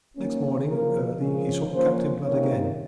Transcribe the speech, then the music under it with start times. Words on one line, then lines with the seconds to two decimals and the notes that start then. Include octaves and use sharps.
Next morning early he sought Captain Blood again.
0.16 D#3 A#3 C#4
0.67 C#3 F3 A#3 A#4
1.20 C#3 F3 G#3 C#4
1.72 F3 A#3 C#4 C5
2.24 C3 D#3 A#3 C#4 C#5